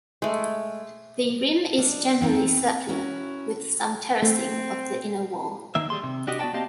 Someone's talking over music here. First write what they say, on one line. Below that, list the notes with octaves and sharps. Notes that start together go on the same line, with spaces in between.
The rim is generally circular, with some terracing of the inner wall.
G#3 A3
G3 D4 D#5
B3 C4 D#4 G5
C#4 E4 F#4 A#4
A3 C4
D#3 A#3 E5
G3 G#4 C6
C3
D4 F#4 G4 D#5
B3 F#4 D5 G5 A5
A#3 C4 G4 D#5 F5 A5